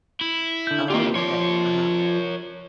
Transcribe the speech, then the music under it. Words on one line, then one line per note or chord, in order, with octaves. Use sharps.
Oh, okay, uh-huh.
E4
D3 G6
A#3 C4 F4 G4
F3 A#4 C#5 D5 C6